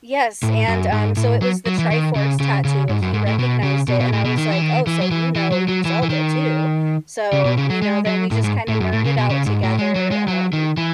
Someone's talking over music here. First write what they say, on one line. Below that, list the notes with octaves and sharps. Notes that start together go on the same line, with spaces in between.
Yes, and, um, so it was the Triforce tattoo and he recognized it, and I was like, "Oh, so you know your Zelda, too?" So, you know, then we just kind of nerded out together, um
A2
F#2
G#2
A2
F#3
F#3
E3
D#3
C#3
C#3
C#3
G#2
F#2
G#2
A2
B2
C#3
B2
B2
A2
B2
D#3
E3
D#3
E3
F#3
E3
E3
F#3
F#3
E3
E3
D#3
C#3
B2
C#3
F#3
G#3
F#3
A2
G#2
A2
F#2
A2
C#3
B2
C#3
G#2
A2
G#3
F#3
G#3
F#3
D#3
E3